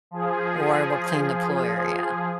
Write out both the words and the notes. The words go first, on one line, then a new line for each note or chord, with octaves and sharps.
or we'll clean the pool area.
F3 G#4